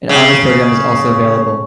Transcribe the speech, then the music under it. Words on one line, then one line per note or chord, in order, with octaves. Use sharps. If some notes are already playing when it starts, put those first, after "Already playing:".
An Honors Program is also available.
C#3